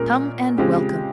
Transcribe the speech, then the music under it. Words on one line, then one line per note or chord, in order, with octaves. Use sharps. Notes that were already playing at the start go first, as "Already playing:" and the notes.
"Come, and welcome."
Already playing: A#2 G#3 C#4 A#4
C#3 G#3 C4 F4 G4